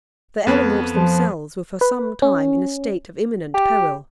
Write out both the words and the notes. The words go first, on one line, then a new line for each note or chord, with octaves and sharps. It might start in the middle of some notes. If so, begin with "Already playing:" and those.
The aeronauts themselves were for some time in a state of imminent peril.
F2 B3
F3
B4
C#4
G4